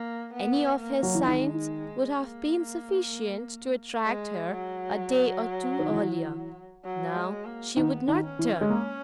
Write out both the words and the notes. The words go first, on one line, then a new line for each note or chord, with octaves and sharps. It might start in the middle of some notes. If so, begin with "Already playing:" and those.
Any of his signs would have been sufficient to attract her a day or two earlier; now she would not turn.
Already playing: A#3
B3
A#3
F#3
E3
D#3 G#3
A#3
G#3
F#3
D#3
E3
F#3
G#3
A#3
D#3 B3
D#3
C#4
E3
G#3
A#3